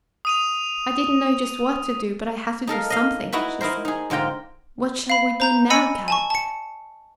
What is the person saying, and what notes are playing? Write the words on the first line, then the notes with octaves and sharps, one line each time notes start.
"I didn't know just what to do, but I had to do something," she said. "What shall we do now, Kadok?"
D#6 D#7 F7
D#4 A4 A#4 F5
D#5 F5
D#4 E4 F#4 B4
D#4 E4 A#4 C5
D#4 G#4
G#2 D3 F4 G5 A#5
F5 B5
C5 A#5 G6
D#5 G#5 B5 E6 C#7 D#7
G#5 A5 C#6
A5 C#7